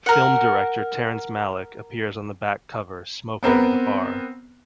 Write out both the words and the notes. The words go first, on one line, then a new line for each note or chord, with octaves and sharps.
Film director Terrence Malick appears on the back cover smoking at a bar.
A#4 F#5
B3 C4 A#4 B4